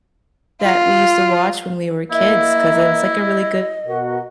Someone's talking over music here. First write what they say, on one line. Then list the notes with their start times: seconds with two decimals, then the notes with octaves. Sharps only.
that we used to watch when we were kids 'cause it was, like, a really good
0.61 F4
2.11 A#3 E4 D#5 E5
3.87 B2 F#4 A#4